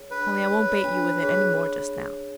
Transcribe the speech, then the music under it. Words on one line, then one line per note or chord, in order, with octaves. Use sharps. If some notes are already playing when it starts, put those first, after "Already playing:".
Only I won't bait you with it any more just now.
Already playing: D4 G#4 C#5
D4 B4
G#4 C#5
D4
G#4 C#5